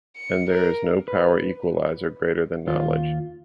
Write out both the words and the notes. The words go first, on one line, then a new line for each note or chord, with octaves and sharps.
And there is no power-equalizer greater than knowledge.
C#7
A#4
B4
D#2 F4